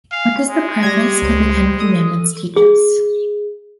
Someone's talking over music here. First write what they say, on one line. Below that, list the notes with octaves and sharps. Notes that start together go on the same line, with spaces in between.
What does the preface to the ten commandments teach us?
F5 G#5
G#3
G3 G4 G#6 A#6
C#2 C5
A4 D#6
G#4